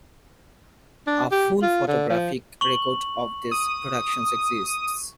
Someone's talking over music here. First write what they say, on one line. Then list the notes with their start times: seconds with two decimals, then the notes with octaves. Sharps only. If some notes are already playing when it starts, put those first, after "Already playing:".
A full photographic record of these productions exists.
1.07 D4
1.31 G4
1.62 F4
1.88 D3
2.10 F3
2.61 C#6 F#7
3.51 D#6